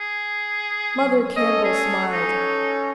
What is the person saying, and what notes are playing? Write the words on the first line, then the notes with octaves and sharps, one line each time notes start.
Mother Campbell smiled.
G#4
F#3 C#4
C#4 A4 C#5 D#5
G#4
D#4